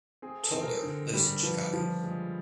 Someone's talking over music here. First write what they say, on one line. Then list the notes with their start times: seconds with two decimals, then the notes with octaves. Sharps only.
Toler lives in Chicago.
0.22 C4 G#4
0.43 A4
0.52 C4
0.62 A#4
0.83 D3
1.13 G3
1.43 F3 B4
1.73 F3
2.03 G#3